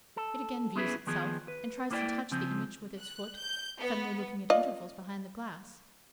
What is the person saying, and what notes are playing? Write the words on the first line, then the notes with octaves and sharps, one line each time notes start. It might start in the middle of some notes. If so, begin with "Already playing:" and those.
It again views itself, and tries to touch the image with its foot, suddenly looking at intervals behind the glass.
A4
B3 C#4 E4 G#4 A#4 B4
D#3 F3 B3 G#4
B4
A#3 B3 E4 C5 D5 G5
C#3 F3 C4
F#6
G6
B3
F4 D5 D#5